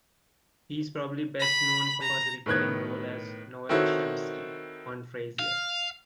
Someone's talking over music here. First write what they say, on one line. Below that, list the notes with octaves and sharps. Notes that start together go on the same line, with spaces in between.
He is probably best known for his recurring role as Noel Shempsky on "Frasier".
B5
A#5
A2 D#3 B3 F#6 G#6
D#3 C4 E4 F#4 A4 C#5
F5